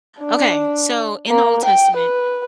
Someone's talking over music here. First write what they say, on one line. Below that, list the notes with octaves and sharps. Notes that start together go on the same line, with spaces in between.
Okay, so, in the Old Testament,
D4
A#3
G5
B4